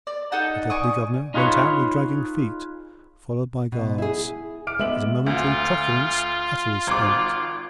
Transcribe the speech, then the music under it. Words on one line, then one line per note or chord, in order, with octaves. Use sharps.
The Deputy-Governor went out with dragging feet, followed by guards, his momentary truculence utterly spent.
D5
D#4 A4 F#5 A5
D5 G#5 C#6 D#6
D#4 F4 G#4 B4 C#5
B2
E4 G#4
D6 F6 D7
G#3 B3 E5 F#7
D2 F4
G#1 D6